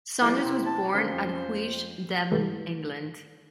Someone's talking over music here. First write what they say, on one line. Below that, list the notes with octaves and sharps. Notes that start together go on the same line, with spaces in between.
Saunders was born at Huish, Devon, England.
F3 G3 A3 E4
C3 C4
A5
D3 A#3 C#4 C5
F2
G#2 C3 E3 A3